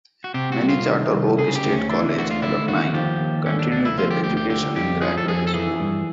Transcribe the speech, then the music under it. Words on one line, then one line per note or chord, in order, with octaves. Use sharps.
Many Charter Oak State College alumni continue their education in graduate school.
F#4
C3 G4
F#4
C2
F4
D#3
C2
C#3 G#4
G4
D2
C#4
E3 D4
D2 F#4
F4
D3 E4
D#2 F#4
F3 G4
D#2
D3 C#4
D4
D2 D4
E4
F3 F4
G4
D2 G4
G4
D3 G4
F2 G4
F3 G#4
A4
F2 G#4
A4
E3 G#4
G2